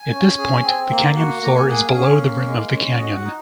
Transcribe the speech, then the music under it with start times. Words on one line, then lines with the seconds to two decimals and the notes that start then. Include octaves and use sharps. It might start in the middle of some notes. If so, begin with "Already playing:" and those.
At this point the canyon floor is below the rim of the canyon.
Already playing: G#5
0.12 C#4
0.38 G#4
0.64 C4
0.90 A#3
1.16 F#4
1.42 A#3 A#5
1.55 G#5
1.68 G#4 F#5
1.81 F5
1.94 C#4 F5
2.20 A#3
2.47 G#3
2.73 C#4
2.99 F#4 D#5
3.16 F#5
3.25 D#4